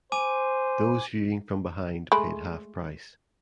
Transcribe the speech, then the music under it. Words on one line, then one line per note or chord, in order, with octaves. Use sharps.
Those viewing from behind paid half price.
C5 G#5 D6 D#7
G#3 A3 B5